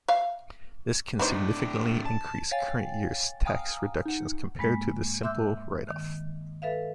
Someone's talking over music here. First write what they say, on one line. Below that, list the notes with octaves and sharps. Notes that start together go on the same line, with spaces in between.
This can significantly increase current year's tax reductions compared to the simple write off.
E5 F5
A2 G3 D4 D#4 C5
A5
C#5 F5 G5 G#5 A6
F5 G5 G#5 A#5 D#6 F6
D#4 F#5
G2 G#3 A#3
E5 C6 D6 E6 F#6 G6
D#3
A4 B4 E5 F5